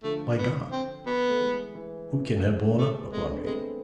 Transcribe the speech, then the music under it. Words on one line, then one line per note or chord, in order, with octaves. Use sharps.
By God! who can have blown upon me?
D3 F3 A3
B3
C4
B3
A3
E3 G#3
E3
D3 F3
E3 G#3
D3 F3
E3 G#3 A3
G#3 B3
G#3 A3 C4
B3 D4
G#3 A3 C4